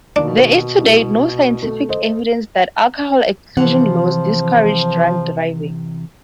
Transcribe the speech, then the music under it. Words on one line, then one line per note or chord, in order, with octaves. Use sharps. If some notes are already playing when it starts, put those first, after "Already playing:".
There is to date no scientific evidence that alcohol exclusion laws discourage drunk driving.
B2 D#3 A#3 D4
C2
A3
A4 C5 D#5
C3 E3 F3 F#5